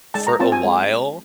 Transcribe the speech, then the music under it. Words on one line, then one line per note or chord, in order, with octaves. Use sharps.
for a while,
G#3 A5
A#5
C4 F4 A5
G#5
G#3